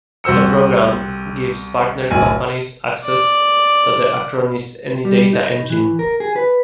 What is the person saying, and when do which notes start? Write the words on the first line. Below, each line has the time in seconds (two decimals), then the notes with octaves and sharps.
The program gives partner companies access to the Acronis AnyData Engine.
0.24 C2 F#4 C5 E6 C#7
2.11 D1 B1 G#5
3.04 D5
5.05 G3
5.33 D#4
5.70 E3
5.99 A#4
6.20 G#4
6.36 B4